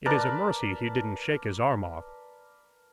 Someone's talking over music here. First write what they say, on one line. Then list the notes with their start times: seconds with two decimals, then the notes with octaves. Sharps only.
It is a mercy he didn't shake his arm off.
0.06 A#4 B4 D5 A5